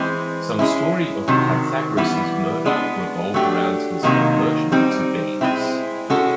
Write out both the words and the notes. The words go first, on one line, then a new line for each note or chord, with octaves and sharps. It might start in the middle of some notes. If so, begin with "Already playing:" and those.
Some stories of Pythagoras' murder revolve around his aversion to beans.
Already playing: E3 G#3 C4
G#3 C#4 E4
C3 D#3 F#3
E3 G3 B3 E4
G#3 B3 D4
F#3 A3 D4 G4
C3 D#3 F#3 A#3 D#4
G3 C4 D#4
G#3 C4 E4
G#3 C#4 F#4 A4